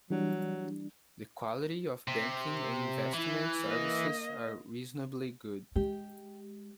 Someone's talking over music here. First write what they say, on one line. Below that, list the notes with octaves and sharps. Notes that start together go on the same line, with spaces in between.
The quality of banking and investment services are reasonably good.
E3 F#3 G3 D4
C3
E3 E4
A#3 D#5
G#3 G4